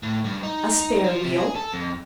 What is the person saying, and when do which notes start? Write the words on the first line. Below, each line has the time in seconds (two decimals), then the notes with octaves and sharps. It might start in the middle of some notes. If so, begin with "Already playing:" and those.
"A spare wheel?"
0.03 A2
0.24 G2
0.43 D#4
1.04 F3
1.24 C3
1.36 G#4
1.55 A4
1.73 F2